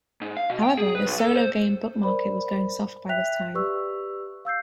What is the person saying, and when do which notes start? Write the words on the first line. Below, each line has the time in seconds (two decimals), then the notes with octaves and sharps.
However, the solo game book market was going soft by this time.
0.21 G#2
0.37 F5
0.50 B2
0.63 G5
0.77 G#4
0.95 B4
1.06 B1
1.19 A4
1.35 C5
2.03 A#4 C5 D5 B5
3.09 E5 G5 F#6 B6 F7
3.54 G4 B4 D5 C#6 E6
4.45 F5 E6 G6 C7